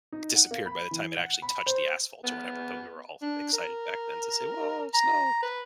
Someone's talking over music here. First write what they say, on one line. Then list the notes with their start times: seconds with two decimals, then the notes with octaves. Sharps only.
disappeared by the time it actually touched the asphalt or whatever, but we were all excited back then to say, "Whoa, snow!"
0.12 D#4
0.35 F#5
0.51 A#3
0.66 B5
0.91 E3
1.17 F#5
1.42 B5
1.66 C5
2.24 B3
3.22 D4
3.53 A#4
4.94 A#5
5.42 B4